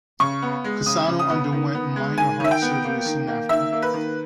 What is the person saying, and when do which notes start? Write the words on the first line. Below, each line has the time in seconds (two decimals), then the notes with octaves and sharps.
Cassano underwent minor heart surgery soon after.
0.20 C#3 C#6
0.42 B3
0.64 G#3
0.86 C#3 D#6
1.08 C#3
1.19 D#6
1.30 B3
1.52 D#3
1.74 B3
1.96 G#3
2.18 D#3 G#5
2.40 D#3 E5
2.51 G5
2.62 B3
2.84 A#3
3.06 D#3
3.27 A#3
3.49 D#3 E5
3.72 A#3
3.82 B4
3.94 D#3